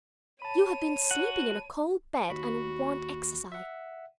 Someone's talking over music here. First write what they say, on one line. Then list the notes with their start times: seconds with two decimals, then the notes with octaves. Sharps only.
You have been sleeping in a cold bed and want exercise.
0.42 C#5 A5 B5 D#7
1.11 F#4 F#5
2.30 D#2 F#4 B5
3.52 E5 F#5